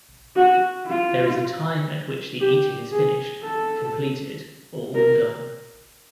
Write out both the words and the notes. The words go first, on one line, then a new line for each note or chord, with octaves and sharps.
There is a time at which the eating is finished, completed, or all done.
F#4
F4
G4
G#4
A4
A#4